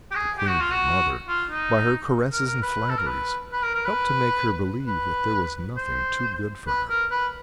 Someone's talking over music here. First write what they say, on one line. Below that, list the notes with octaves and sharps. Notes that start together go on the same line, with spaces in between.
The Queen, her mother, by her caresses and flatteries, helped to make her believe that there was nothing too good for her.
G4
G#4
G4
F#4
F4
F#4
F4
D#4
A#4
A#4
B4
A4
A#4
B4
B4
A#4
A#4
B4
B4
C5
B4
A#4
B4